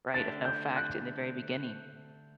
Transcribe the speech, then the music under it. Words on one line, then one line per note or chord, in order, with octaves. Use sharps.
right, of no fact in the very beginning,
D3 A3 D4 G4 A6
G6
F#6